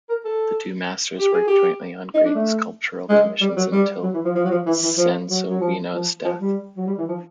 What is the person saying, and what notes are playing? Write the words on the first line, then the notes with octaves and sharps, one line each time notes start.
The two masters worked jointly on great sculptural commissions until Sansovino's death.
A#4
A4
G4
G#4
G4
D#4
D4
A3
G#3
G3
F#3
G3
F#3
E3
F3
F3
F#3
F3
E3
E3
F3
F#3
F#3
F3
F3
F3
G3
F#3
G3
E3
F3